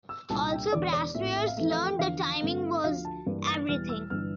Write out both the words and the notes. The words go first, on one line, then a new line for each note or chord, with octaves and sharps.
Also Braceros learned that timing was everything.
E6
C2 A#2 G3 D4 A5
G5
E1 E2 D3 D5
D5
A#1 A2 F3 C4 E5
E5
F5
F2 E3 A3 C4 E5
F5
G5
E2 D3 F3 F5
G2 D3 A3 C4
D2 D3 F3 F5
A5
G2 E3 A#3 D4
A6
E1 E2 E3 G3 F6
E6
G1 G2 E3 G3 D4 F6